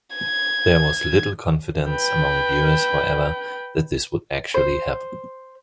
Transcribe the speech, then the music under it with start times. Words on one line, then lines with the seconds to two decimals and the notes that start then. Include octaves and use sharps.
There was little confidence among viewers, however, that this would actually happen.
0.16 G#6
1.89 B4 G5
4.54 C5